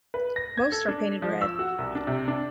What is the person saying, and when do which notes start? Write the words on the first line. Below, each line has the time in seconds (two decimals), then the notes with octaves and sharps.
Most are painted red.
0.14 B4
0.36 A#6
0.57 G#6
0.72 A4
0.88 D4
1.22 F3
1.41 E6
1.59 F#4
1.78 C2
1.95 D4
2.07 C3
2.28 D4